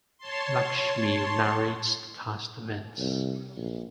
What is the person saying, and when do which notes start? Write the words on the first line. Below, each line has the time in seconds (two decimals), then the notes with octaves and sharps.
Lakshmi narrates the past events.
0.17 C#5 A5 C6
2.98 C2
3.56 A#1